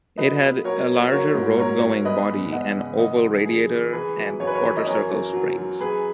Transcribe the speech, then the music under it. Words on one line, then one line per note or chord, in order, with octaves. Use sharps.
It had a larger roadgoing body, an oval radiator, and quarter-circle springs.
F#3 B4 D#5
A#2
F#3 A#4 C#5
A#2
F#3 A#4 C#5
G#2
F#3 A#4 C#5
G#2
E2 B4 D#5
E2
E2 D#5 F#5
C#3
E3 D#5 F#5
F#2
E3 G#4
E3
E3 G#4 B4
F#2
F#2 C#5
B4
A#4 C#5
E3
D#5
F#2 A#4 C#5
F#2
F#3
F#3
F#2 G#4 B4